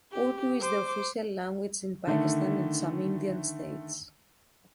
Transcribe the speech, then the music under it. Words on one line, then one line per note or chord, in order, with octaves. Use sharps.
Urdu is the official language in Pakistan and some Indian states.
G4
C5 D6
D3 D#3 A3